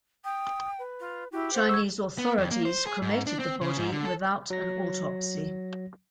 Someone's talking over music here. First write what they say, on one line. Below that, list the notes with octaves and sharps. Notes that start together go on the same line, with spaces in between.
Chinese authorities cremated the body without an autopsy.
G5 D#6
B4
F4
E4 F#4 G4
C5 F#5
C#6 E6 G#6
B3
F2
A#3
C5
G#4
G#2
D4
C4
C#3
G#2
D3
A4
F#3 A#6